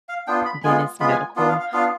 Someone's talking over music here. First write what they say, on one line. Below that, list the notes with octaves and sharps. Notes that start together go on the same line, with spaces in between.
Dennis Medical,
F5
B3 D4 F4 G5
B5
G#3 B3 F4 G#5
G#3 B3 F4 B5
G#5
B3 D4 F4
F5
F5
B3 D4 F4 F5